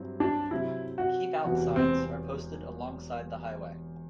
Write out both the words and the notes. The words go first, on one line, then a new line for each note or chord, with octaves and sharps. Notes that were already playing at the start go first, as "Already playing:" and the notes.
"Keep Out" signs are posted alongside the highway.
Already playing: G2 F#3 C4 E4
D4
C3 F#3 C4 E4
F#4
E1 E2 C3 E3 B3 F#4
C4